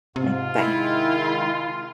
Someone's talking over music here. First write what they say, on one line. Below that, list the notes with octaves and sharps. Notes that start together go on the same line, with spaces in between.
Mm, bye.
G#2 C3 F4
D#3 G#3 E4